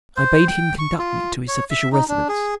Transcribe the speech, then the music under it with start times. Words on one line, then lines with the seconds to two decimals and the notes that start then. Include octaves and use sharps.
I bade him conduct me to his official residence.
0.17 C5
0.48 G5
0.79 C#6
0.99 F4
1.48 C#5
1.70 E5
1.92 D#4
2.09 D4
2.29 G#4